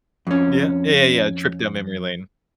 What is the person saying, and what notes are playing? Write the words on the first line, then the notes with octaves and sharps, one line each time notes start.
Yeah, yeah, yeah, yeah, a trip down memory lane.
F2 C#4